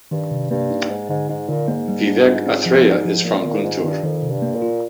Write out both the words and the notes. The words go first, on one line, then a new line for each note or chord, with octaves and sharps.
Vivek Athreya is from Guntur.
G2 D#3
C3
G2 A#3
D#4
G#2 G#3
G#2 D3
G#2 D#4
A#2 D3
G#2 A#3
G3
D4
F4
C4
F3
D#4
F3
A#2 A#3
A#2 D#3
G#2 F4
G2 D#3
F2 D#3
C3
G2
A#3
A#2
F4